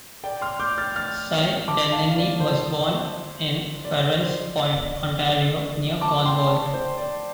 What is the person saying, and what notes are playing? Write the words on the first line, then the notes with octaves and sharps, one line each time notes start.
Cy Denneny was born in Farran's Point, Ontario, near Cornwall.
D5 G5
C6 F6
D6 G6
F6 A6
F6 A6
A5 D6
F5 A5
F5
D5
C5
D5
C5
D5
D5
A5 D6
G5 C6
D5
C5
D5